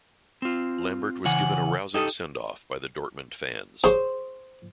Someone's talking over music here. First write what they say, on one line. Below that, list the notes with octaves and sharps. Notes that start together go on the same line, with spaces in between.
Lambert was given a rousing send off by the Dortmund fans.
C4 F4
C#3 E3 F#5 G#5
D#4 G4 A4 D#5
G#4 C5 C#5